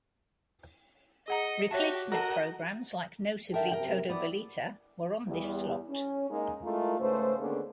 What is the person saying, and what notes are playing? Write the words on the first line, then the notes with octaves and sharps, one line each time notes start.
Replacement programs like notably, "Todo Balita" were on this slot.
G#4 D#5 F#5 A#5 C#7
F#4 G4 C#5 E5 A5
F#4 A4 A#4 D#5 A5
D3 A#4 E5 G5 A5
F#2 C3 A#4 G5
B3 E4 D5
E2 G3
C#4
G#3 A#3 D#4
G#3 A3 E4 F4 A#4
G#2 C#3 A3 B4 C5
D#2 D3 A#3 B3 C#4 G#4